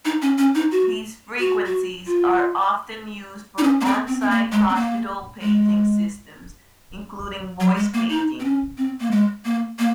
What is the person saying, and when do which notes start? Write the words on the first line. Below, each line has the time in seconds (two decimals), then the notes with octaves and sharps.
These frequencies are often used for on-site hospital paging systems, including voice paging.
0.05 D#4
0.22 C#4
0.38 C#4
0.55 D#4
0.72 F#4
1.39 F#4
1.66 F#4
2.07 F4
3.58 D#4
3.63 C#4
3.81 A#3
3.85 C4
4.08 C4
4.21 C4
4.30 A#3
4.52 G#3
4.69 C4
4.75 A#3
5.42 G#3
7.60 F#3
7.77 G#3
7.94 A#3
8.10 D#4
8.40 C4
8.44 C#4
8.78 C4
9.00 A#3
9.11 G#3
9.45 A#3
9.79 A#3